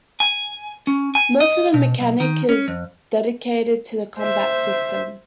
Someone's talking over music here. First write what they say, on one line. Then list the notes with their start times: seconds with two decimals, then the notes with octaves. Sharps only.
Most of the mechanic is dedicated to the combat system.
0.20 G#5
0.87 C#4
1.15 G#5
1.40 D#5
1.74 B2
2.00 B1
2.20 D#3
2.49 C#4
2.68 F2
4.18 C5 E5